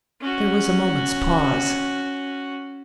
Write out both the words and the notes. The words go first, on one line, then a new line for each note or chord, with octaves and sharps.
There was a moment's pause.
C#4 F#4